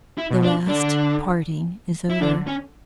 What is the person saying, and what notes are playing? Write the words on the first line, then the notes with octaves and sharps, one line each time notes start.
The last parting is over.
E4
B2
D4
D3 D4
E4
D3 D4
C#4